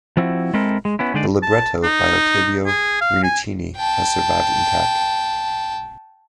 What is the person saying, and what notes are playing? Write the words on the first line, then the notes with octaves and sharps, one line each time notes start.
The libretto, by Ottavio Rinuccini, has survived intact.
F3 C4 E4 F#4
G#3 C4 E4 A4 A#4
G#3
B3 C#4 E4
D3 G#3 D#4 G#4 D5
A5
D#4
G#4
F5
G#5
G5 A5